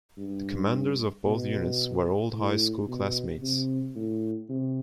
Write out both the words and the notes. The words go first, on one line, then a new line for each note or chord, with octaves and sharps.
The commanders of both units were old high school classmates.
G2
B2
A2
B2
C3
A2
C3